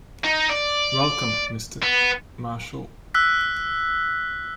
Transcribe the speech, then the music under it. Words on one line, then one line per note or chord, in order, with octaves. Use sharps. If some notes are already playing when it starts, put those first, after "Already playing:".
Welcome Mr. Marshall!
D#4
D5
B3
E6 F#6 B6